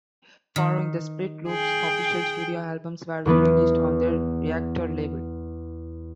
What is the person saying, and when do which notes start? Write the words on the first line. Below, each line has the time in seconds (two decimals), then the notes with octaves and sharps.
Following the split Loop's official studio albums were re-released on their Reactor label.
0.56 D#3
1.49 G#4 G5
3.26 E2 E3 B3 B4